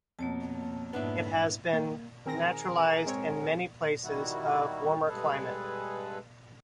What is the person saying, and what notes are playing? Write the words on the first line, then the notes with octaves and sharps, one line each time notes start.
It has been naturalized in many places of warmer climate.
F2 B2 A#3 C#5 A5
G#2 F3 B3 D4 E4 E5
A#3
D#3 C4 G#4 A#4 A#6
G#3 C4 C#5
D#3 G3 E4 F#4
G2 G#3 G#4 A4 B4